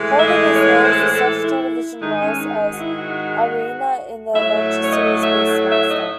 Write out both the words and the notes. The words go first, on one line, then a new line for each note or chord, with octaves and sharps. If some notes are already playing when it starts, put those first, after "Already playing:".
Holden is known for such television roles as Arina in the adventure series "BeastMaster".
Already playing: A2 E3 G#3
E5
D#5
C#5
C5
A4
C5
A4
E4
G#2 D#3 G#3 D#4
C#4
D#4
F#4
E4
F#4
A2 F#3 A3 E5
C#5
D#5
E5
E5
D#5